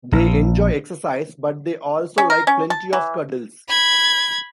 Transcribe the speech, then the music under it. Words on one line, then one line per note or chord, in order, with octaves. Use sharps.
They enjoy exercise, but they also like plenty of cuddles.
A#1
C#4
A#4
C#4
A5
E3
B5 G#6